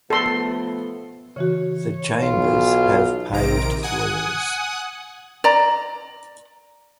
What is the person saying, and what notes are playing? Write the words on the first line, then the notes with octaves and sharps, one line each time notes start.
The chambers have paved floors.
F3 A3 B3 A4 C6
C#3 E3 F#4 C#5
B1 F4
A#1 C3 D#3 A#5 D7
F#5 G#5 D#6
D5 A#5